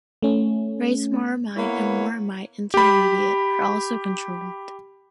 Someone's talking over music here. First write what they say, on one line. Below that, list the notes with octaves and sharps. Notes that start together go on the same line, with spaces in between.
Racemoramide and moramide intermediate are also controlled.
A3 C#4
A#3 B3 E4 B4 C#5
G4 B5